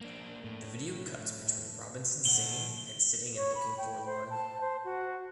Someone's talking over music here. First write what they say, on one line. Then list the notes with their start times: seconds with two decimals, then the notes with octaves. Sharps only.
The video cuts between Robinson singing and sitting and looking forlorn.
0.01 A#3 D4
0.44 A2
2.25 A#2 F#5 G7
3.36 C#5
3.55 B5
3.78 G5
4.06 C5
4.30 A5
4.61 C5
4.85 F#4